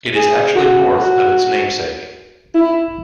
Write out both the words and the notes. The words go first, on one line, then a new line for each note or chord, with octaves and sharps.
It is actually north of its namesake.
G#4
F#4
F#4
E4